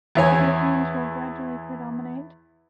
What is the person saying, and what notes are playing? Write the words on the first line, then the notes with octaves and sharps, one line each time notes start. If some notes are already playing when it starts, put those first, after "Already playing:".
Evergreens will gradually predominate.
E2 E4 C#5 G#5